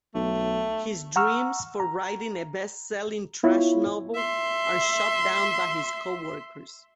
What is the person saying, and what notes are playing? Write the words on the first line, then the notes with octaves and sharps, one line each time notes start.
His dreams for writing a best-selling trash novel are shot down by his co-workers.
B1 A3
F#5 A#5 C#6 E6 F6
A#5
B3 E4 F4 C#5
E5 C6